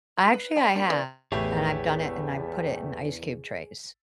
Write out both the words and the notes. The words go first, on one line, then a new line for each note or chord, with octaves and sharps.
Actually, I have, and I've done it, and I've put it in ice cube trays.
F#4
B4
D5 G#5 B5
A#3 D4 F4 G5
E3 B3 F#4 A#4 D5
A1 E2 A3 G4 G#4 B4 C#5